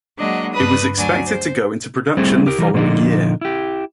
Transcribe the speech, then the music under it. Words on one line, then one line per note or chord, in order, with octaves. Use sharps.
It was expected to go into production the following year.
F#3 G#3 A#3 D4 D#5 F#5
G2 D4 B4 B5 D#6
D2 F#3 D4 D5 G#5
C5
G3 A3 C4 E4 G#4 C5
G4 A#4
E3 G3 A#4
A#2 D3 F3 A#3 D#4
E4 G4